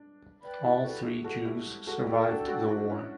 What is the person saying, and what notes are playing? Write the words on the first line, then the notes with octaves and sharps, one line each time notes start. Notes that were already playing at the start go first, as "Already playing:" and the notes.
All three Jews survived the war.
Already playing: D4
B4 D5 G5 B5
E4 G4
F#4 A4
E4 G4
F#4 A4
E4 G4
F#4 A4
E4 G4 A4 D5 G5
D4 F#4
D4 F#4
E4
D4 F#4
C#4 E4